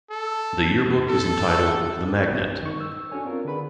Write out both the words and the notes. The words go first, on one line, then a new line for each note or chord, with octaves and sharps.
The yearbook is entitled The Magnet.
A4
A4
D#3 C#6
E6
C#4 D4 F#4 A4 C#5 G#5
C4 D4 F4 A#4
D3 G#4 B4 B5